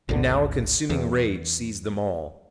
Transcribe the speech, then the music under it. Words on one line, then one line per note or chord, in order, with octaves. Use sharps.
And now a consuming rage seized them all.
G#1 D2 D3
E2